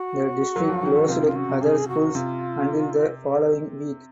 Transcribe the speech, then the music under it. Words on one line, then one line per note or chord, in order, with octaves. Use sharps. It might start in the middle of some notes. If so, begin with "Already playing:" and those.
The district closed other schools until the following week.
Already playing: F#4
F#3
F3
D#3
D#3
C3 F4
C#3 F4
C#3 F#4
C3
C#3 G#4
F#4
C3 F4